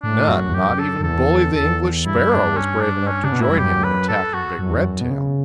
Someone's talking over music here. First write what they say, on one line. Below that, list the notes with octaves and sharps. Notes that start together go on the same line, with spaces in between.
But none, not even Bully the English Sparrow, was brave enough to join him in attacking big Redtail.
A2 D4
F#2 F#4
E2
F#2 G4
A4
F#2
E2 A4
E2 A4
G2 E4
F#2
G2 D4
C#4
D4
C#4
C#3 D4
B2
A2 E4
G2
F#2 G4
B4
A4
F#4
F#2
E2
F#2
B2
C#3